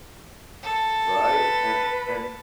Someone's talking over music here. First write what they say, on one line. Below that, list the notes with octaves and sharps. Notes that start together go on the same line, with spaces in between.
right? And and
A4
B4